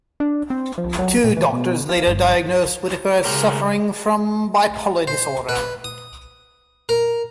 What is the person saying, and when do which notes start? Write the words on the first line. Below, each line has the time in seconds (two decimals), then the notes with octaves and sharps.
Two doctors later diagnosed Whitacre as suffering from bipolar disorder.
0.20 D4
0.50 C4
0.78 F3
0.99 F#3
1.24 A#2
1.37 E3
1.53 B2
1.89 F4
2.07 G1
3.25 C#3 G#3 G4 A#4
5.07 C5
5.49 B4
5.84 D#6
6.89 A#4